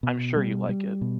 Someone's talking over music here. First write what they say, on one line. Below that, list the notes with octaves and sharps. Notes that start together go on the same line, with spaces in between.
I’m sure you like it.
B2
G3
G3
B2